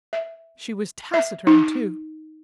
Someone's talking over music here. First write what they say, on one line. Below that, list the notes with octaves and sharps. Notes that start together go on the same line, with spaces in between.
She was taciturn, too.
E5
E5
D#4